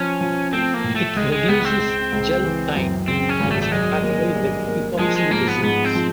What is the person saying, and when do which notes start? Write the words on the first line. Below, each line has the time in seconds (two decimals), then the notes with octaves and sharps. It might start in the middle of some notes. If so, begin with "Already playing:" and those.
It reduces gel time and is compatible with epoxy resins.
Already playing: F3 C#4
0.21 F3
0.53 A3 C4
0.74 A#3
0.84 A2
0.95 A3
1.16 C#2 G#3
1.32 G#3
1.49 C#2 B3
1.65 C4
1.80 C#2
2.12 C#2
2.44 E3
2.76 F#2
3.08 C#3 C4
3.29 C#4
3.40 G#1
3.51 A3
3.62 A3
3.72 F#3 G#3
4.03 A#3
4.36 G2
4.67 A#3
4.99 F3 G#3
5.16 G#3
5.31 G#2 A#3
5.48 B3
5.63 G#2 B3
5.85 C4
5.95 F3